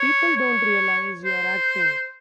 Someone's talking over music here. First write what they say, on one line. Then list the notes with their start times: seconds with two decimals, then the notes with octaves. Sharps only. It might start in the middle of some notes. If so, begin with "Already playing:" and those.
People don't realize you're acting.
Already playing: C#5
0.36 C#5
1.25 C5